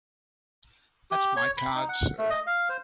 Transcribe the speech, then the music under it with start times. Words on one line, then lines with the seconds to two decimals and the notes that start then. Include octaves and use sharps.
That’s my card, sir.
1.11 G4
1.36 C#5
1.57 B5
1.75 D#4
1.89 F#5
2.18 A3
2.30 D#5
2.47 F5
2.69 C5